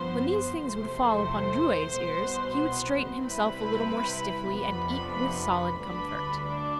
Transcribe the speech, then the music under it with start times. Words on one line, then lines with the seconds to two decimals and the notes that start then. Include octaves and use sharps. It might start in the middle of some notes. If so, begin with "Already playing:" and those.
When these things would fall upon Drouet's ears, he would straighten himself a little more stiffly and eat with solid comfort.
Already playing: G2 F3 B3 C5 C6
0.64 E2 C3 F3 A3 C5 C6
1.93 C2 B2 B3
3.22 C3 G3 C4 E4 B4 B5
4.52 F2 C3 F3 B3 D4 B4 B5
5.81 D2 D3 G3 D4 B4 B5
6.45 D4 D5